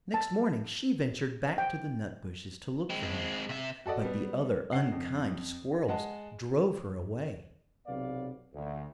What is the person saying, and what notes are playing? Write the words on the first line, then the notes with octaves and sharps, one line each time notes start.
Next morning she ventured back to the nut bushes to look for him; but the other unkind squirrels drove her away.
A5
G5
G#3 C4
C3 E5
F#4 A4 D5 D#5 F#5
G3 B3
D4 F#5 C7
F2
G#3 F#5 A5
B1 C3 B3 D5 F5
D2